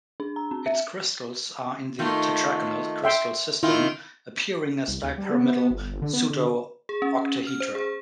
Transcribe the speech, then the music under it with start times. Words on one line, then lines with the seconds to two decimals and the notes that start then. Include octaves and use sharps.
Its crystals are in the tetragonal crystal system, appearing as dipyramidal pseudo-octahedra.
0.20 D4
0.36 A#5
0.51 C4
0.66 E5
1.99 D#3 A3 F4
3.04 E5 G5 C6
3.63 D#3 E4 F4
4.88 C2
5.03 D#2
5.18 G3
5.31 B3
5.71 G1
5.84 G1
6.02 D3
6.13 B3
6.30 D3
6.89 G#4
7.02 C#4
7.47 F6
7.60 C5
7.75 G#4